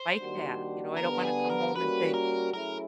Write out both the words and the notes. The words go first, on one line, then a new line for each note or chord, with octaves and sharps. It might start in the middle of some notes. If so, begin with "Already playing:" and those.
bike path. You know, I don't wanna come home and think,
Already playing: C5
D#3 G3 A#3 D4 F#4
D3 G3 B3 D4 A#4
G4
G#4
A#4
G3 A#3 C#4 F#4 B4
A#4
F#3 A3 C#4 E4 G#4 A#4